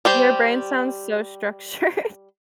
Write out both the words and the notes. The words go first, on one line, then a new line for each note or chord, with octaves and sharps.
Your brain sounds so structured. I
G3 G4 C5